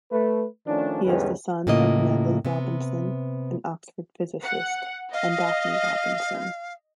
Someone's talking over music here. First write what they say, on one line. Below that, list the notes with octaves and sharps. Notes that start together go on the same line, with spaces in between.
He is the son of Neville Robinson, an Oxford physicist, and Daphne Robinson.
A3 B4
D#3 F3 A3 C#4 D4
E2 G#2 D3 G3 C#4 B4
A2 C#3 A#3 F4 D#5
C3 B3
F#5
D#5 F5